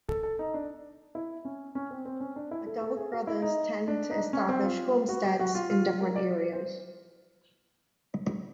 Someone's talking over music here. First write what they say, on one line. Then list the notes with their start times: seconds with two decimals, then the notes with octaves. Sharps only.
Adult brothers tend to establish homesteads in different areas.
0.08 A4
0.23 A4
0.39 D#4
0.54 D4
1.15 E4
1.45 C#4
1.75 C#4
1.91 C4
2.05 C4
2.20 C#4
2.36 D4
2.51 E4
2.66 A4
2.81 A4
2.97 G#4
3.12 F#4
3.27 E4
3.42 D#4
3.88 D4
4.11 D#4
4.18 D4
4.33 C#4
4.49 C4
4.63 F4
5.09 F#4
5.24 G4
5.39 F#4
5.55 F4
5.70 F4
6.01 A#4
6.16 D5
6.53 C5